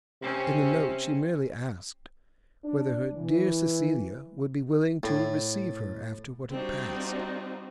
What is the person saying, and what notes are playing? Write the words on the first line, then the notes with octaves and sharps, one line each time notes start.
In the note she merely asked whether her "dear Cecilia" would be willing to receive her after what had passed.
C3 C4 C#4
D4
E3
A2
G3 C4 D4 D#4 F4 F#4